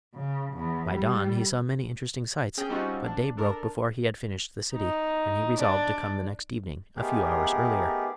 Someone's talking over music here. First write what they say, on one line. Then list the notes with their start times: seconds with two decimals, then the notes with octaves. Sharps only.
By dawn he saw many interesting sights, but day broke before he had finished the city, and he resolved to come the next evening a few hours earlier.
0.14 C#3
0.54 E2
0.89 G3
2.58 C#4 G#4 G5
2.69 G3 C4 C#4 D#4 F4 F#4
3.04 D4
3.37 D4 A4 A#4
4.74 D#4
5.56 D4 D5
6.96 A3 B3 D#4 G4 G#4 A#4